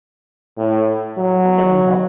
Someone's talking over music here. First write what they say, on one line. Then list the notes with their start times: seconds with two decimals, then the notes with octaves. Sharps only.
That doesn't help.
0.58 A2
1.18 F#3